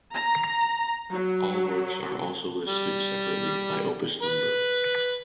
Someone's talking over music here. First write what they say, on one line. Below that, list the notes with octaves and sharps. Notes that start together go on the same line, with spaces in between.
All works are also listed separately, by Opus number.
A#5
F#3
G3
B4